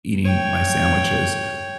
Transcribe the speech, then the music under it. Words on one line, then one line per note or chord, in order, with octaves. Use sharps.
eating my sandwiches?
C#5 G5